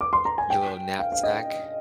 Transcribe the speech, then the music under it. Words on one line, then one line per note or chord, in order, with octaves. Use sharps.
I your little knapsack.
D6
C6
A#5
G#5
G5
F5
F5
D#5